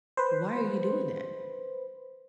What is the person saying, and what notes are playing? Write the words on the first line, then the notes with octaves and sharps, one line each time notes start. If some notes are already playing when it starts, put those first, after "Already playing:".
why are you doing that?"
B4 C5